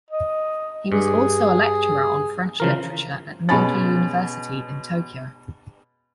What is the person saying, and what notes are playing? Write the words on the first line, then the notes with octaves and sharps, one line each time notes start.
He was also a lecturer on French literature at Meiji University in Tokyo.
D#5
G2 G#4
C#3 E3 F3 A#4
B2 G#3 C#4 G#5 B5 A6